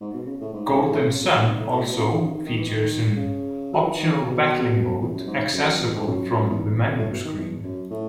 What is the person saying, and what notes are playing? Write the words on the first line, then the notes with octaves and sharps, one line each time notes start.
"Golden Sun" also features an optional battling mode accessible from the menu screen.
G#2
B2
C#3
A2
G#2
G#2
A2
C#3
B2
G#2
A2
A2
B2
C#3
D#3
C#3
D#3
D#3
E3
D#3
C#3
F#3
E3
D#3
C#3
B2
E2
F#2
G#2
F#2
E2
G#2
F#2
F#2
F#2
E2
E2
F#2
B2
A2
B2
D#3
E2
F#2
A2